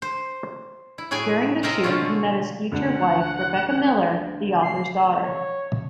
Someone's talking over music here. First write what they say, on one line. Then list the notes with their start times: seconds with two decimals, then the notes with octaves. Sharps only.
During the shoot he met his future wife, Rebecca Miller, the author's daughter.
0.02 C5
0.98 E4
1.11 A2 F#3 G#4 G5 G#5
1.63 C3 A#4 C5 D#5 E5
1.83 B2 D3 A3 C#4 F4
2.72 D2 D4 F#5
4.63 C7
5.23 C#5